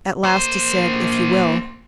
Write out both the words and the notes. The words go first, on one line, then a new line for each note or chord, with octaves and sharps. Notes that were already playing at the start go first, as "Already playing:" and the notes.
At last he said, "If you will."
A#3 C5